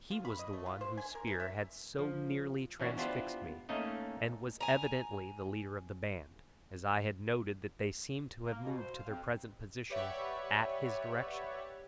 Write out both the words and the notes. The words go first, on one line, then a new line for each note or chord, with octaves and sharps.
He was the one whose spear had so nearly transfixed me, and was evidently the leader of the band, as I had noted that they seemed to have moved to their present position at his direction.
F4
B5
D#5
A3
F4
C5
G#5
A#4
E3
E5
F3
E3 C#4 D4 F#4
B3 D4 E4 F4 G4 C5
A3 A#3 C#4 D#4 D#5
G#5 A#5
A#3
B2
C5
F5
F2
G4 B4 C#5 D5 E5 F#5